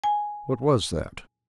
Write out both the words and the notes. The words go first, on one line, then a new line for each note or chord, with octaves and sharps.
What was that?
G#5